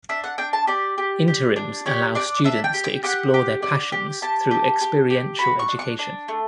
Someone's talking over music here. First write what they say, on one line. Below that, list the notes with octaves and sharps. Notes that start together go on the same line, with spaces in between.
Interims allow students to explore their passions through experiential education.
D4 E5
F#5
D4 G5
A5
G4 D5
G4
G4
D4
G4 C#5
D4 D5
D4 E5
G5
G4
G5
G4 F#5
G4
D4
G4
G4 A5
G4
G4
G4
F#4 B5
C#6
D4
C#6
D4
A3